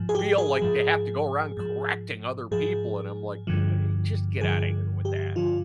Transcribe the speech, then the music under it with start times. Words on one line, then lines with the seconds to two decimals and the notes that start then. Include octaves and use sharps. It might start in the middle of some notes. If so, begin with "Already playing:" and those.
feel like they have to go around correcting other people, and I'm like, I "Just get out of here with that."
Already playing: G#2 F3
0.09 G#4
0.15 G4
0.38 G#4
0.62 G#2 F3
1.57 G#2 F3
2.51 G#2 F3 G#4
3.47 G2 D3 F3
4.41 G2 D3 F3 G#4
5.05 G4
5.36 G2 D3 F3 F4